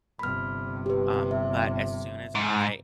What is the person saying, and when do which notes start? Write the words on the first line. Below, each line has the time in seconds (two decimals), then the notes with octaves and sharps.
um, but as soon as I
0.19 G1 C3 B5 F6
0.86 G4 B4
1.31 E5
2.35 G#2